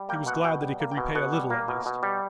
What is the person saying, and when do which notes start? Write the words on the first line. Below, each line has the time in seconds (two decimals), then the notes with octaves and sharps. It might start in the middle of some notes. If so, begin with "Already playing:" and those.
He was glad that he could repay a little at least.
Already playing: G3
0.09 A#3 G5
0.26 B2 F#5
0.44 B2 G5
0.62 G3
0.80 A#3
0.91 G5
0.97 B2
1.15 B2 F#5
1.33 G3
1.50 A#3
1.68 B2
1.86 B2
2.03 G3